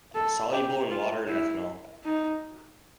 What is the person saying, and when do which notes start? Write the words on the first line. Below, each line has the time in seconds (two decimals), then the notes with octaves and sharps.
Soluble in water and ethanol.
0.15 A4
0.52 G4
0.90 F4
1.28 E4
2.04 D#4